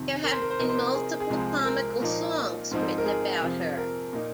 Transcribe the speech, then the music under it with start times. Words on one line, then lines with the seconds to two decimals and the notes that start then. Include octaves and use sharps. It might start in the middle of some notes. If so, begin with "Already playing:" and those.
There have been multiple comical songs written about her.
Already playing: F2 C3 D#3
0.24 A#4
0.32 C5
0.42 A#4
0.50 C5
0.59 C3 F3 C4 D#4 A#4
0.69 C5
0.78 A#4
0.94 G#4
1.20 G#4
1.30 C2 C3 F3 G#3 C4
1.65 A#4
2.00 A#2 F3 A#3 D#4
2.71 G#2 F3 C4 D#4
2.98 A#4
3.06 G#4
3.42 F2 C3 F3
3.77 A#4
4.13 A#2 A#3 D#4